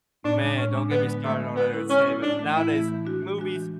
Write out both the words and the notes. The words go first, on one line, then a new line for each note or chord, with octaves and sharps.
Man, don't get me started on entertainment. N Nowadays, movies,
A2 D4
G#3 D4
A2 C#4
G#3 D4
D3 B3
G#3 B3
D3 A3
G#3 B3
G#3 B3
C#4 E4 A4
G#3 C#4
C#4 E4 A4
A2 D4
E3 A3
A2 E4
E3 A3
E3
G#3 D4 F#4
E3
G#3 D4 F#4
E3